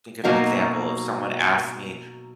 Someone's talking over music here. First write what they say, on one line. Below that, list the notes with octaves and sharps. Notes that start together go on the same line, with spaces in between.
think of an example. If someone asked me,
B2 F#3 A#3 D#4 F#4